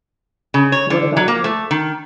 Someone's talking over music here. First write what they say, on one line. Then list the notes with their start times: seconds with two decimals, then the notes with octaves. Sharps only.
what about you?
0.54 C#3
0.72 C#5
0.90 D3
1.17 F#3
1.28 A#3
1.44 A3
1.71 D#3